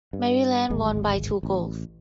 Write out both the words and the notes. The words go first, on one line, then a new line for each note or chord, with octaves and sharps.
Maryland won by two goals.
G2
D1 G#1 G#3
A1